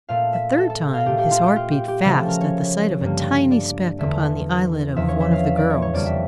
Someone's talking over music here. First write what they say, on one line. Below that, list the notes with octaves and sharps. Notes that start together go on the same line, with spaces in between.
The third time his heart beat fast at the sight of a tiny speck upon the eyelid of one of the girls.
A#2 A3 F5
E5
A4
A4
F5
A#2 A3 G4
G4
F4
G4
F4
G4
G4
C#3 F3 A3 G4
A4
A#4
C#5
G2 D3 G3 A#3
D5
E2 D3 A3 E5
E2 C#3 F3 E5
C#5
E5
F5
E5
D5
C#5
C#5
F2 D3 G3 A#3 D5
E5